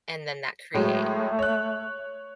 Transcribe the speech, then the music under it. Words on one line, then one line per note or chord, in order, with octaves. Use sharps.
and then that create
A2 F#3 G#3 A3
C#5 F#6